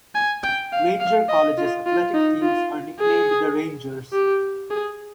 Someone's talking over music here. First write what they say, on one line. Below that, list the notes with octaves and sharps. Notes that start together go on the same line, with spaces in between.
Ranger College's athletic teams are nicknamed the Rangers.
G#5
G5
F5
F5
D#5
F4
F4
D#4
F4
G#4
G4
G#4